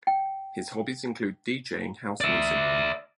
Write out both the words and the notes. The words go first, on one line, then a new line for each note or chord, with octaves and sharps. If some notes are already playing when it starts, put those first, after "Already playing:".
His hobbies include deejaying house music.
G5
D5 E5